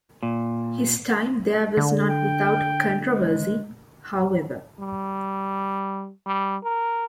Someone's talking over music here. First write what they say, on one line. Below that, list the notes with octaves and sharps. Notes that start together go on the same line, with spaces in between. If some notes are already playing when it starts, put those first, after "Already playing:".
His time there was not without controversy, however.
A#2
D3
G5
G#3
G3
G3
A#4